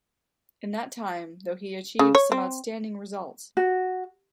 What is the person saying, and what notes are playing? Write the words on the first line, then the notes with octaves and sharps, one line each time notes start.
In that time though he achieved some outstanding results.
C#3
C#5
C4
F#4